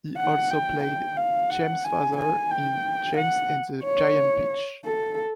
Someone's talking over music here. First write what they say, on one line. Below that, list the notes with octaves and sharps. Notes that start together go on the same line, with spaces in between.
He also played James' father in "James and the Giant Peach".
F#5
G5
G5
F5
F#5
G#5
G#5
G5
F#5
C#5
A4